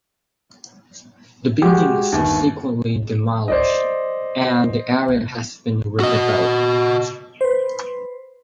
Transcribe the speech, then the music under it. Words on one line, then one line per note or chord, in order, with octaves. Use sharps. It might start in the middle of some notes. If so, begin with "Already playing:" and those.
The buildings subsequently demolished and the area has been redeveloped.
G#3 F#4 G4
G1 D#2
C5 D5 D#5
F#4 D#5
B4 C5